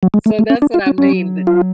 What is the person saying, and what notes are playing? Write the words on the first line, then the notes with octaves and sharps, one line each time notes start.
So that's what I mean the
F#3
G#3
A3
A3
C#4
D4
F4
C#4
F#3 C#4
F4